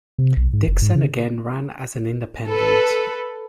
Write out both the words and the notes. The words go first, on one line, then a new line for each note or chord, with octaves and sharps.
Dixon again ran as an independent.
C3
B1
G#2
F#1
G#2
C#3
A4 B4